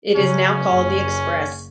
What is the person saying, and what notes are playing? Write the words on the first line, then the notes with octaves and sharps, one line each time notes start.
It is now called the Express.
C#3 F#3 C#4
F#1